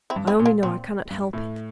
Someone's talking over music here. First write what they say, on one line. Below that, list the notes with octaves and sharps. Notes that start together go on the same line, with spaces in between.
I only know I cannot help it.
C4 E4
G2
C4 E4
A#2
A#3 D4
A#2 C4
G2
A2